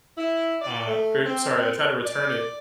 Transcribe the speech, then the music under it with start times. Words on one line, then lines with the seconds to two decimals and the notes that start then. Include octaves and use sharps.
Uh, I sorry, I tried to return it
0.17 E4
0.62 D5
0.87 A3
1.26 C4
2.05 D5